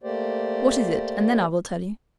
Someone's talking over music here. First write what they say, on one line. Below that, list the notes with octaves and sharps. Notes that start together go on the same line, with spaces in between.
"What is it, and then I will tell you?"
A3 A#3 G4 C5 D5